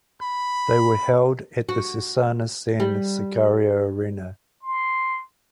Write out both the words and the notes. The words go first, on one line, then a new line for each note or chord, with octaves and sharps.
They were held at the Cesana-San Sicario arena.
B5
F#4
G3
C6